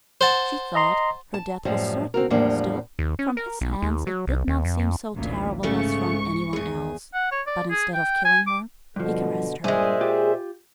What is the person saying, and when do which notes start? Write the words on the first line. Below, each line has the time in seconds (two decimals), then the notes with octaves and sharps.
She thought her death was certain--still, from his hands, it did not seem so terrible as from any one else; but instead of killing her he caressed her.
0.21 C5 F#5 A5
0.75 D#5 A#5 C6
1.34 A5
1.65 F#2 A2 F3 G3
2.14 C4 F#4 A#4
2.30 E2 A2 F3 G3 A#3 D4
2.99 D#2
3.19 C#4
3.37 A#4
3.61 B1
3.82 D#2
4.07 F#3
4.27 C2
4.48 D#2
4.65 F2
4.79 F2
5.16 A1 D2 A#2
5.63 C2 G#2 C#3 A3 B3 C#6
6.53 E2 G#4
7.14 F#5
7.32 C#5
7.47 D5
7.70 G#4
7.94 G5
8.25 G#5
8.47 D6
8.96 G2 B2 D3 F3
9.64 G2 A#2 G#3 G#4 C5 E5
10.01 F4 G4